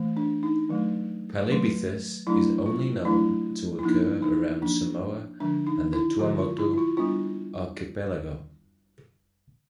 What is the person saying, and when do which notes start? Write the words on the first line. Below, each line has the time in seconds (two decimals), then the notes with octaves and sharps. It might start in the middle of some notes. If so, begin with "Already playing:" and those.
"Palibythus" is only known to occur around Samoa and the Tuamotu Archipelago.
Already playing: E3 A3
0.17 D4
0.43 D#4
0.69 D#3 F#3 A3
1.48 D#3 F#3 A3
2.27 F#3 A3 D4 E4
2.66 F4
3.05 F#3 A3 D4 E4
3.79 E4
3.83 F3 A#3 D4 D#4
4.22 D#4
4.62 F3 A#3 D4
5.40 D3 F3 G#3 D4
5.67 D#4
5.93 E4
6.19 D3 F3 G#3 F#4
6.39 F4
6.58 E4
6.74 E4
6.78 F4
6.97 G3 B3 D4 F4